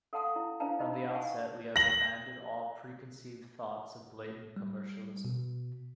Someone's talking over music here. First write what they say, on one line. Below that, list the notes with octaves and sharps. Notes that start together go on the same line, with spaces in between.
From the outset we have abandoned all preconceived thoughts of blatant commercialism.
A4 F5 F#5 A5 C6 D#6
E4
D4 E4 C5 F5 A5 A#5
D#4 D#5 A5 B5
B5
C5 F5 F#5 G#5 A5 C#6
A#6 F#7
G3
B2